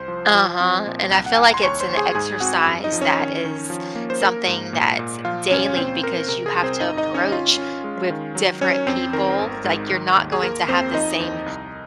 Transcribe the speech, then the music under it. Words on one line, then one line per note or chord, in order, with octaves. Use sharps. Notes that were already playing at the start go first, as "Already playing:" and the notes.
Uh-huh, and I feel like it's an exercise that is something that's daily, because you have to approach with different people. Like you're not going to have the same
Already playing: C2 C5 C6
F3
F3
C4
A#2
C2
F#5
C2 G#5
A#5
C6
D#2 C#5 C#6
C5 C6
D#2
G#4 G#5
G#2 G#4 G#5
C4 F#4 F#5
F#2
D#4 D#5
F3
C#4 C#5
D#3
D#3
F3
A#3
C5
A#3 A#4
G#2
A#2
A#2
F3 F4 F5
C#2 C#4 C#5
A#2 C4 C5
A#2 A#4
C3 A#4
G#4
C2
C4 C5
G#1 D#4 D#5
D#4 D#5
D#3
C#4 C#5
C#4 F4 F5
C#4
G#3
D#3
F#3
F#3 C#4 C#5
F2 C4 C5
D#3 A#4
G#1
G#2
D#3
D#2
G#4
A#3 A#4
F2 C4 C5
F3 D#4 D#5
D#2
C2